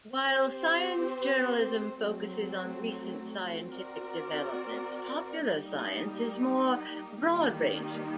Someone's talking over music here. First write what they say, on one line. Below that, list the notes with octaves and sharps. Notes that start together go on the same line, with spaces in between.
While science journalism focuses on recent scientific developments, popular science is more broad-ranging.
C4 G4 C5
F#3 A3 C4
C4 F#4 A#4 D5
G3 A#3 D#4 G4
D#3 G3 A#3 D#4 G4